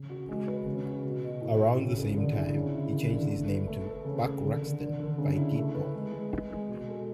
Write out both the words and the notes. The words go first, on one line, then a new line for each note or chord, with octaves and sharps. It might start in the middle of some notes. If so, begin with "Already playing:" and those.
Around the same time, he changed his name to "Buck Ruxton" by deed poll.
Already playing: C#3
F#4
G#3
B4
C#3
F#4
B2
B2
A2
E4
C#3
G#4
D3
E4
C#3
E4
D3
D3
A3
B4
A3
A4
C#3
A4
D3
D3
D3
D3
C#3
E4
A3
B4
G#3
G#3
G#3
G#3
B2
A4